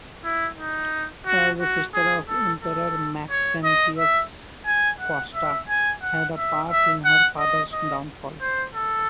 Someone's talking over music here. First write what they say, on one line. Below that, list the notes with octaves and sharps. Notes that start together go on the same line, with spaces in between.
As the sister of Emperor Maxentius, Fausta had a part in her father's downfall.
E4
D#4
F#4
F#4
G#4
A4
A4
C#5
D#5
E5
G#5
F#5
E5
G#5
F#5
E5
E5
F#5
D#5
D#5
C5
A4